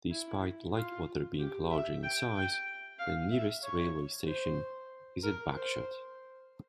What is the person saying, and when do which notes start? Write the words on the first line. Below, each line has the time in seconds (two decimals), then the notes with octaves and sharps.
Despite Lightwater being larger in size, the nearest railway station is at Bagshot.
0.10 E4
0.75 F4
1.39 G4
1.71 E5
2.03 G5
2.35 G5
2.99 F5
3.31 E5
3.63 C#5
4.27 C5
5.23 A#4
5.56 C5